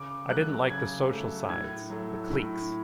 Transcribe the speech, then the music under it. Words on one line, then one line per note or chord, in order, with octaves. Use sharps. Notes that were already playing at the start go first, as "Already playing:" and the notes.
I didn't like the social sides - the cliques.
Already playing: C#3 D6
F#3 A3 F#6
C#3 G#6
F#3 A3
A2 G#6
F#3 A3
A2